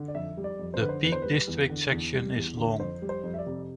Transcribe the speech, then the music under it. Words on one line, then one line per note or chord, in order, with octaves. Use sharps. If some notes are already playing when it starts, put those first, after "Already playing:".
The Peak District section is long.
Already playing: D3
D5
F2 E5
G3
D5
F2
C5
D3 B4
C5
E2 B4
C5
G3 B4
E2
D3
E2
G3
E2
D3
F2 C5
G3
C5
F2
E5
D5
C3